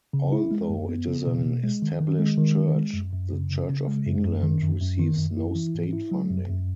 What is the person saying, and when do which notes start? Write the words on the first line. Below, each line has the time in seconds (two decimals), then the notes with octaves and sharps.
Although it is an established church, the Church of England receives no state funding.
0.13 C#3
0.32 E4
0.51 G#3
0.69 F#2
0.89 B3
1.07 C#3
1.27 B2
1.45 B2
1.64 G#3
1.82 D#3
2.00 D#3
2.19 G#3
2.38 D#3
2.57 D#3
2.75 G#3
2.94 F#2
3.13 F#2
3.32 C#3
3.51 C#3
3.69 C#3
3.87 G#3
4.06 F#2
4.25 F#2
4.43 D#3
4.62 F#2
4.81 F#2
5.00 D#3
5.18 F#2
5.37 E4
5.55 E3
5.74 G#2
5.93 E4
6.11 F#3
6.30 F#2
6.50 F#2